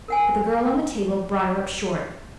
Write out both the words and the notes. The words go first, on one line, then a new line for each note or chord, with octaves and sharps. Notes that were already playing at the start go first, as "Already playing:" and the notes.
But the girl on the table brought her up short.
A#4 F#5 G#5